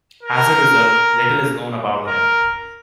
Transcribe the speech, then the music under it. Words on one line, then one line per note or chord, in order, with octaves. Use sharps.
As a result, little is known about him.
A#4
A#4